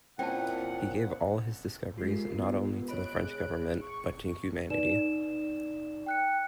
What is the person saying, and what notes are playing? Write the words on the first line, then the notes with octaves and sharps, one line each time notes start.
He gave all his discoveries not only to the French government but to humanity.
A#2 C4 C#4 E4 F#5 G5 A5
G#3 F4 G4 A#4 C7
B3
C#5 D#5 B5 F#6 D7
G#4
C#6
D#4 B4 D5 E7
G5 F#6 C#7